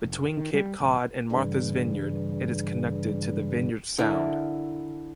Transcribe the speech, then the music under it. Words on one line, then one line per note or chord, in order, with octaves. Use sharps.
Between Cape Cod and Martha's Vineyard it is connected to the Vineyard Sound.
F1
D#3
G3
D1
G2 C#3 E3 G3
D3 E4 A#4